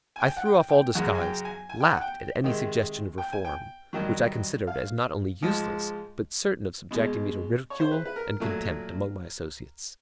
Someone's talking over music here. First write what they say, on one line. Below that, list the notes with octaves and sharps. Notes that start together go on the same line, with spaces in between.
I threw off all disguise, laughed at any suggestion of reform, which I considered as not only useless, but certain of subjecting me to ridicule and contempt among my associates.
G#5
G5
F#5
G5
G5
F#2 C#3 F#3 F#5
G#5
G5
G#5
G#5
G5
F#5
G5
C3 D#3 G#3
G5
G#5
G5
G2 D#3 F#3
F5
G#2 F3 G#3
B2 G#3
C#5
C5
B4
B4
A#4
A#2 F#3 A3